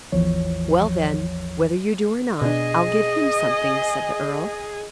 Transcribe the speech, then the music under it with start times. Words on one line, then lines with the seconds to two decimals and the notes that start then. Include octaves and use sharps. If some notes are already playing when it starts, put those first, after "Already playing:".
"Well, then, whether you do or not, I'll give him something," said the earl.
0.12 A1 E2 E3 F3 C#5
2.41 B2 D4 G#4 D#5